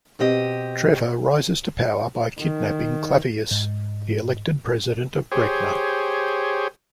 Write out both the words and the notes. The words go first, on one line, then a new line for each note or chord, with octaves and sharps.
Trevor rises to power by kidnapping Clavius, the elected president of Bregna.
B2 C4 G4 D#5
D#3
G#2
G4 G#4 C5 C#5